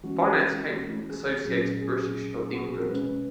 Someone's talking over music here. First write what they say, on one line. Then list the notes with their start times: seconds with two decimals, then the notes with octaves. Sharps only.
Finance came from Associated British of England.
0.04 E3 G#3 C#4 F#4
1.10 G#4
1.46 A#2 F#3 C#4
1.82 G#4
2.53 F#4
2.65 G#4
2.78 A#4
2.90 B2 G#3 C#4 B4